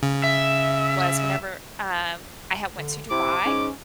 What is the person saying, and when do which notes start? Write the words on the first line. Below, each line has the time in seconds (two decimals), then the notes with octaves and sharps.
was whenever um, I had went to Dubai,
0.03 C#3
0.24 E5
2.77 D3
3.10 C3 E4 D6
3.45 G#2 C#4